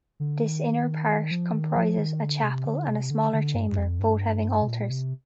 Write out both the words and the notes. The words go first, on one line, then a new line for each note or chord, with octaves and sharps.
This inner part comprises a chapel and a smaller chamber, both having altars.
D3
D#3
F3
D#3
F3
D#3
D3
C3
D3
C3
D3
D3
G2
G2
F2
G2
C3
A#2
C3